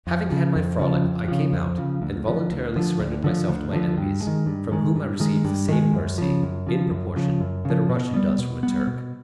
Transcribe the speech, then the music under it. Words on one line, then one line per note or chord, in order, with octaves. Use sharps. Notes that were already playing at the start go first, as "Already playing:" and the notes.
Having had my frolic, I came out, and voluntarily surrendered myself to my enemies, from whom I received the same mercy, in proportion, that a Russian does from a Turk.
F2
C#3 F3
F2
C#3 F3
F2
C#3 F3
F2
C#3 F3
D2
D3 F3
D2
D3 F3
D2
D3 F3
D2
D3 F3
G2
D#3 G#3
G2
D#3 G#3
G2
D#3 G#3
G2
D#3 G#3
F#2
C#3 F3
F#2
C#3 F3
F#2
C#3 F3
F#2
C#3 F3
B2
G3 B3
B2
G3 B3
B2